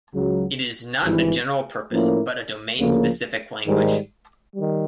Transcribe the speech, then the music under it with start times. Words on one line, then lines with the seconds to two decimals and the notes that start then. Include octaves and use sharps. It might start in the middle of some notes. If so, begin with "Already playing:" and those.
It is not a general-purpose, but a domain-specific language.
0.15 C#2 C#3 F#3
1.02 G#1 G2 E3
1.90 A2 F3 A#3 C#4 E4
2.79 D2 C#3 F3 A#3
3.67 G#2 D#3 G3
4.55 D#3 G3